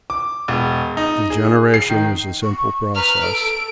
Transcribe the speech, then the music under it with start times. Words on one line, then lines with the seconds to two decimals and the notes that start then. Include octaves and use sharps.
The generation is a simple process.
0.10 D6
0.48 E1
0.97 D#4
1.30 G#4
1.74 C7
1.90 D#3
2.42 C#6
2.95 B4 A#5 F6
3.23 A4 D7